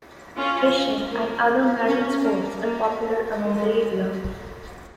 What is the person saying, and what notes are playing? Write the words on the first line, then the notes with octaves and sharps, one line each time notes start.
Fishing and other marine sports are popular among the area.
C#4 F4
A#3
C#4
A#3
A#3
G#3